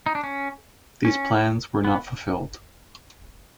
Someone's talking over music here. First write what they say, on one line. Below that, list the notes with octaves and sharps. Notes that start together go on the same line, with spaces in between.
These plans were not fulfilled.
D#4
D4
C#4
C#4
B3